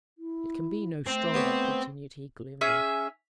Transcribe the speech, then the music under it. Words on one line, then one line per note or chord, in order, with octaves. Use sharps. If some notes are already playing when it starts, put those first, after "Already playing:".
It can be no stronger,' continued he, gloomily.
E4
A3 C4
B3 G4 C#5
C#4 G#4 E5